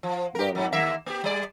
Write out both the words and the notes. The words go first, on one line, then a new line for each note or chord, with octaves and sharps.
But, um
F3
G4 A#4
G#2 F#3
D#2 A#3 E5
A#3 G4
G3 D5